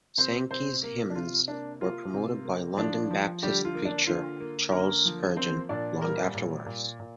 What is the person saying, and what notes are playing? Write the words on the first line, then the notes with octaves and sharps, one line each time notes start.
Sankey's hymns were promoted by London Baptist preacher, Charles Spurgeon, long afterwards.
C3 C4 C5
C3 C4 C5
A#3 A#4
D4
C3 F4
A#3 D4
A#3 F4
C3
A#3
F3 D4
F3
D3 G3 G4
F4
A#3
D4
D3 F4
A#3
D3 A#3 A#4
F3
A#3 C4 C5
A#2 D4 D5
G3 A#3 A#4
A#2
A#2
A#2